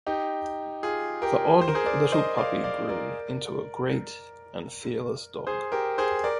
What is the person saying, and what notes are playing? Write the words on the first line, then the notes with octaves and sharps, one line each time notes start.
The odd little puppy grew into a great and fearless dog.
D#4 G4
F4 G#4
G4 A#4
C5
A#4
G#4 C5
A#4 D5
C5 D#5
D5 F5
D5 F5
A#4 D5
G#4 C5
G4 A#4
G#4 C5
A#4 D5